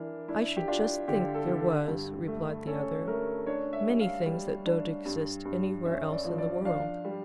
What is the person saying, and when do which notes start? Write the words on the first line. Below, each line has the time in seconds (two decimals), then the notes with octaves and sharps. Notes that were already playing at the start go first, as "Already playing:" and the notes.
'I should just think there was,' replied the other; 'many things that don't exist anywhere else in the world.
Already playing: E3 D4 A#4
0.28 D4 E4
0.57 G4
0.68 D4 F4
1.08 D3 G4
1.34 A4
1.47 D3
1.61 A4
1.88 G2
2.28 A3
2.67 C#4 A4
3.07 A3 A#4
3.47 D4 C#5
3.73 E5
3.87 G3
4.00 F5
4.26 G3
4.66 D4
5.05 G2
5.45 G2
5.85 C#4 E5
6.12 D5
6.25 F3
6.38 D5
6.65 D4 F5
7.05 G3